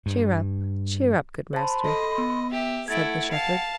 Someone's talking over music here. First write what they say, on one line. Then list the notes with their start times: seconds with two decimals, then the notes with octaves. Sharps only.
"Cheer up, cheer up, good master," said the shepherd.
0.06 G2
1.53 C5 A5 B5 C6
1.85 A4 D#5
2.18 B3
2.52 G4 E5
2.88 A3 E4 F#5 G#6 A6 D7
3.31 F5 A5